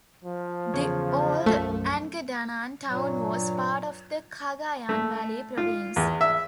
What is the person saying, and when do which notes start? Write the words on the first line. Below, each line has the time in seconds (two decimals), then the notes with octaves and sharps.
The old Angadanan town was part of the Cagayan Valley province.
0.24 F3
0.74 E2 C#3 C#5
1.46 B1 F#2 A3
2.87 G2 A#2 F#3
4.89 A3
5.57 F4
5.96 E2
6.21 E5